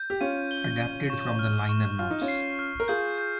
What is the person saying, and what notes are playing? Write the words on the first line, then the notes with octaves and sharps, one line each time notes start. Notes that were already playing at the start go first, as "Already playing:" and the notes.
Adapted from the liner notes.
Already playing: G6
G4
C#4 F4 D#7
G7
D#7
C#6
F6
C#6
F4 F6
D#4
C#4 F4
C7
F6
A#4
F4 G#4 G6
G6